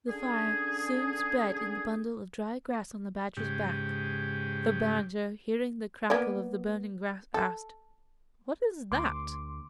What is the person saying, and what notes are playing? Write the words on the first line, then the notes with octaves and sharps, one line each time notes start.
The fire soon spread in the bundle of dry grass on the badger's back. The badger, hearing the crackle of the burning grass, asked, "What is that?"
D3 C#4 D4 G#4
G#2 C#3 G4
A#3 B3 D5
A4
D2 C6 D6